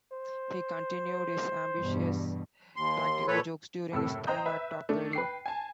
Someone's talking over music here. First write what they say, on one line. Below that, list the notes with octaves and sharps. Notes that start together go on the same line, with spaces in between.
He continued his ambitious practical jokes during his time at Talk Radio.
C5
E2 G2 B2
D#2 C6
A#2 A4 B4 C#5
F#1 A2 C3 A4 E6
C5 D#5 G5 A#5 D#6 G6
B4 E5
A3 D4
B4 G5 C7
G#5 A5